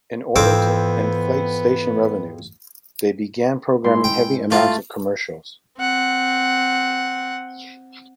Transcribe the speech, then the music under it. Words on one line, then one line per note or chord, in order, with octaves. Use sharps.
In order to inflate station revenues, they began programming heavy amounts of commercials.
F2 G#2 E3 B3 C4 D6
G#2 E4 C6
G5
A3 F4 F5
C4 F#5